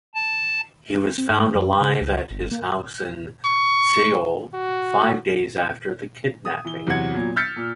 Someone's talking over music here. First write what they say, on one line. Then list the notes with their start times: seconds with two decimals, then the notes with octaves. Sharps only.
He was found alive at his house in Seoul five days after the kidnapping.
0.15 A5
1.18 C4
1.30 G#2
1.55 F#2
1.81 C#3
2.01 C#2
2.31 G1
2.51 A#3
3.45 C#6
4.54 F#4
6.45 D#6
6.65 E3 G7
6.87 E2 C3 F#3 F#4 F#5 G#6
7.13 A#2 F#3 B3
7.36 E6 F6 G6 A6 B6 C#7
7.56 A#2